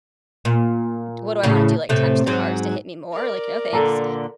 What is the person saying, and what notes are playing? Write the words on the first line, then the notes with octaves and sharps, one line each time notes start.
what do I wanna do? Like, tempt the cars to hit me more? Like, "No, thanks."
A#2
A2 C#3
A2 C3 A3
G#2 F#3
A#4 D5
A#2 D3 A4 A#5